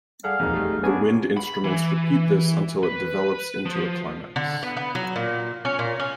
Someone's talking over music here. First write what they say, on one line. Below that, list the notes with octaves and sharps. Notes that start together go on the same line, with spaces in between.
The wind instruments repeat this until it develops into a climax.
G3 G#4 A4 F5 F#5
E1 F2 A#3 D#4
G3 A3
G2 B3 D4 G#4 C#5 G#5
B5
E3
B4
F3
D3
B3
B3
F#3
A#2
C#4
A#2
C#4